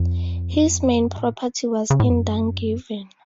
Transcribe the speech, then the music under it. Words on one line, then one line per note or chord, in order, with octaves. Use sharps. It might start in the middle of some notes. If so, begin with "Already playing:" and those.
His main property was in Dungiven.
Already playing: F2
F#2
A2
C#3
A2
F2
F#2